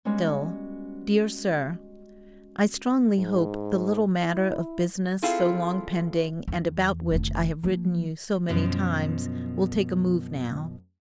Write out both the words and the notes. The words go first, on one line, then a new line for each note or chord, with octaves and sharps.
STILL, DEAR SIR:--I strongly hope the little matter of business so long pending and about which I have written you so many times, will take a move now.
G3 G#3 B3 C#4 F#4
G#2
E4
C4 E4 F4 G#4 A4
E2
F1 D3
F3 A#3
F#2 B2 F3